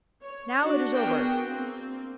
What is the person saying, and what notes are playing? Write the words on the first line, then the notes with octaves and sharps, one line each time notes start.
Now, it is over!
C#5
D4 F#4
B3 D4 F#4 G#4 A#4 G5
A#3 C4